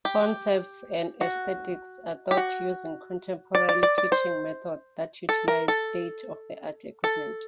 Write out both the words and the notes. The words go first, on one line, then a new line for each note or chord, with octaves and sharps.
Concepts and aesthetics are taught using contemporary teaching methods that utilize state-of-the-art equipment.
G4
F#4
G4
F#4
D5
D5
D5
D5
C5
A4
A#4
A4
A4